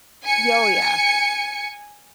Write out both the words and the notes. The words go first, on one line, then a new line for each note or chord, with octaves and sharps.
Y oh, yeah.
G#5 C#7